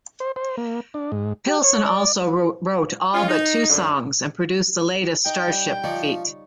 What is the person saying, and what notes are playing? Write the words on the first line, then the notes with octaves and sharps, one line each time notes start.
Pilson also wrote all but two songs and produced the latest Starship feat.
C5
C5
A#3
D4
G#2
G4
C#5
D5
C#4 F4
D#4
F#2 D3
D#4 G5
G3
F3 D#4 C#5 D5